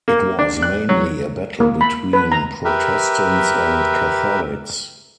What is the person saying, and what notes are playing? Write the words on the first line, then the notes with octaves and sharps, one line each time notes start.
It was mainly a battle between Protestants and Catholics.
A#3
D4
F#6
F#3
A#3
B5
B4
A#5
G4 A#4 B4 E5